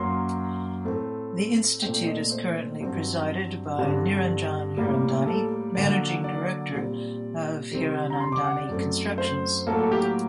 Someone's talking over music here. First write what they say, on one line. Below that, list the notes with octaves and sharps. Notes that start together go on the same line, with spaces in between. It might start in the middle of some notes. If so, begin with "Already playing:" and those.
The institute is currently presided by Niranjan Hirandani, Managing Director of Hiranandani Constructions.
Already playing: F#2 F#3 A#3 C6
A2 A3 C4
A#2 A3 C4 G5
D#5
C5
G2 F#3 C4
G2 D3 G3 C4
A2 G3 A#3
A4
D3 F#3 A#3 D5
D5
A#2 G3 C4
C3 D#3 G3 C4
A#5
C6
D6
F#5
D5
F#2 F#3 A3 C4
C5
A2 F#3 A#3 A4
A4
G4